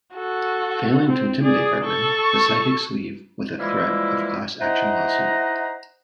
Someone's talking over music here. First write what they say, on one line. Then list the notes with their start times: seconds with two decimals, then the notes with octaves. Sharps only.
Failing to intimidate Cartman, the psychics leave with a threat of class action lawsuit.
0.14 F#4 A4
1.09 C4
1.42 G#4 D5
1.84 A4 C#6
3.59 E3 F3 G3 G#3 A#3 E4
4.61 D#4 E4 C5 D#5 F#5 A#5